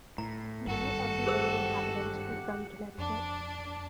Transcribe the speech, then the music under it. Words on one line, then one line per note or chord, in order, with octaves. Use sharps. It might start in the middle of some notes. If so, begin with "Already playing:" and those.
Many of the early inhabitants were from Connecticut.
A2 A#5
G#1 G2 F#4 A4
G4 G#4 C5 F#5 E6
F2 D4